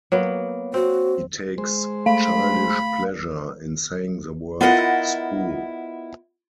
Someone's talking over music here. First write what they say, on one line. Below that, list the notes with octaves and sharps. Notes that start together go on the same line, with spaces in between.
He takes childish pleasure in saying the word 'spool'.
F#3 A#3 B3
C4 F#4
G#3 C5
A3 F5 B5
B3 E4 F4 A#4 D#5 F#5